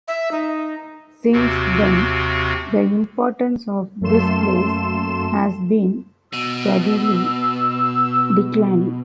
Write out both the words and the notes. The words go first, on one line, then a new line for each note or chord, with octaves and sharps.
Since then, the importance of this place has been steadily declining.
E5
D#4
D#2 C3 C4 F#4
F#2 A3 A#3 A4 C6 E7
B2 E6